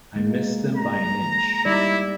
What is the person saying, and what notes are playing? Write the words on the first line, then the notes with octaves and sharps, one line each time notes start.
I missed them by an inch.
G#3 A#3
A#5
G3 D#4 E4 D5